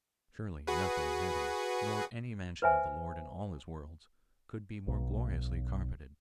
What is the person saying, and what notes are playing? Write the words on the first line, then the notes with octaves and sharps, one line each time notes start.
Surely nothing in heaven, nor any mansion of the Lord in all his worlds, could be more gloriously carpeted.
F#4 G#4 B4
B4 C5 E5 G#5
B1